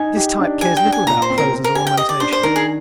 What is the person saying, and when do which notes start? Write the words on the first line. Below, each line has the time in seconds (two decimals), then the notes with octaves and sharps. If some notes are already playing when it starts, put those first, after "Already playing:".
This type cares little about clothes as ornamentation.
Already playing: D#4 G#5
0.17 G4
0.39 D4
0.61 G4 G#5
0.77 G5
0.85 D4
0.92 G#5
1.07 A#2 A#5
1.22 C5
1.30 C4
1.38 A#4
1.52 C5
1.64 A#4
1.75 G4 G#5
1.87 G5
1.97 G4 D#5
2.09 D5
2.20 D4 C5
2.32 C5
2.43 D#3 A#4
2.56 G#4